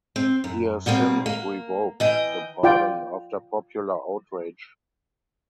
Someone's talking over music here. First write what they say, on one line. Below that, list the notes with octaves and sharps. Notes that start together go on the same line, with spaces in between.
He has since revoked the pardon, after popular outrage.
C4
F#2
B2 G3 A#3 C4
A#3
E3 D#5 G5
F4 D5 G5